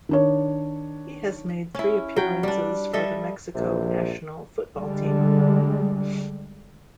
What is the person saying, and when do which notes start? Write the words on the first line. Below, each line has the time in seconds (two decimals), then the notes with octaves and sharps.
He has made three appearances for the Mexico national football team.
0.09 D#3 D4 C#5
1.75 C#4 E4
2.17 F#3 G5
2.43 G3 D4
2.93 G3 A4 D#5 E5
3.55 A#1 C3
4.75 D3 G3 G#3